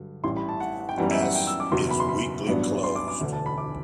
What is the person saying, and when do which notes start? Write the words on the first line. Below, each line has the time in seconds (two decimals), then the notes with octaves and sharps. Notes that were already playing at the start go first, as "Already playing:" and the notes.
"S"' is "weakly closed".
Already playing: G2 D3 F#3
0.24 A1 A2 G3 C6
0.37 B5
0.49 A5
0.60 F#5
0.80 F#5
0.89 G5
0.98 F#2 E3 G3 B3 F#5
1.10 E5
1.22 F#5
1.35 G5
1.47 E6
1.60 D6
1.72 F#1 E2 B2 F#3 C6
1.91 B5
2.00 C6
2.09 B5
2.47 A1 G2 F#3 B3 D4
2.84 C6
2.96 D6
3.08 D6
3.20 E1 D2 D3
3.33 A5
3.46 B5
3.58 D6